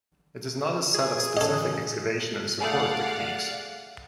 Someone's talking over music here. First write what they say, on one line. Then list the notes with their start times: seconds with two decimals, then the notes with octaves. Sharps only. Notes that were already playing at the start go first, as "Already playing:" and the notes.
It is not a set of specific excavation and support techniques.
0.94 G#4
1.37 A2 C#3 E3 A4 D#5
2.60 A3 G#4 D5 F5 F#5